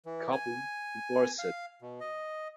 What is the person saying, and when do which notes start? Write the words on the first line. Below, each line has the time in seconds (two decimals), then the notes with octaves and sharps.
The couple divorced.
0.06 E3
0.32 G#5
1.39 F5
1.82 B2
2.00 D#5